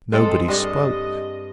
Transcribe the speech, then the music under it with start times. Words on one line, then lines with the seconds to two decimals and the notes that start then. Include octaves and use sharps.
Nobody spoke.
0.13 G#3 C4 A4
0.48 G2 D4 D#5